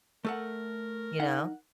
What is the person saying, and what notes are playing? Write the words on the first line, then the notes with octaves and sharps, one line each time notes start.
you know?
A3 A4 A#4 F#5
D#4 F#5